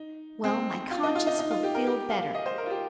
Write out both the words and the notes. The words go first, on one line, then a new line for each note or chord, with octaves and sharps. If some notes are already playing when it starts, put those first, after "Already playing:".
"Well, my conscience will feel better."
Already playing: D#4
C4
F4
D#4
F4
D#4
D#4
F4
G4
A#4
G4
F5
D#5
C5
A#4
F4
G4